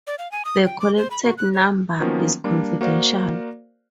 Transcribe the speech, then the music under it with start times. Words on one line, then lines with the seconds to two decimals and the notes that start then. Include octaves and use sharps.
The collected number is confidential.
0.07 D5
0.19 F5
0.32 G#5
0.45 D#6
0.65 G5
0.80 D6
0.97 C5
1.11 B5
1.23 F#4
1.38 F#6
1.53 C#5
2.00 D#3 F3 F#3 A#3 B3 C#4
2.44 G3 A#3 D4
2.81 A#3 F#4 A#4 C5 D5 F5